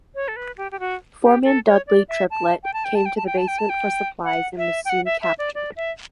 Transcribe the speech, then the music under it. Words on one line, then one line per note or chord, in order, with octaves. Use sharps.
Foreman Dudley Triplett came to the basement for supplies and was soon captured.
C#5
A4
B4
G4
G4
F#4
G4
A4
C#5
D5
E5
A5
G5
A5
G5
A5
G5
A5
G5
A5
G5
A5
G5
F#5
E5
G5
F#5
E5
E5
D5
D5
E5